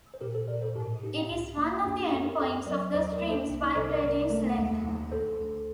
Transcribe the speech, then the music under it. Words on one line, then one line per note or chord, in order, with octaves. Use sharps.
It is one of the endpoints of the strings' vibrating length.
C5
A#2 G4 A#4
A4 C5
A#2 A#4 D5
A4 C5
A2 G4 A#4
A2 D#4 G4
C2
A#3
F#2 D4 F#4
D4 F#4
F#2 F#4 A4
G4 A#4
D2 A4 C5
F#3 A#4 D5
D#2 C5 D#5
A#4 D5
A#3
A4 C5
C2 D4
D#4
C2 A4 C5
A#4 D5
C2 A#4 D5
A3
D#2
D#2
D2 A4 C5
D2